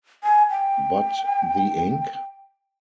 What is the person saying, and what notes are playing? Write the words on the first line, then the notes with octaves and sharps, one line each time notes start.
But the ink?
G#5
G5